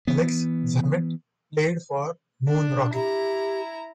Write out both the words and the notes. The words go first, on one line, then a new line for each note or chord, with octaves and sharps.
Alex Zammit played for Moon Rocket.
E3 B3
D4
E4 G4 A#5